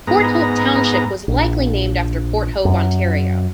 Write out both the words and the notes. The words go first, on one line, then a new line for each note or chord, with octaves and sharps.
Port Hope Township was likely named after Port Hope, Ontario.
G#2 B3 A#5
A#1
F#2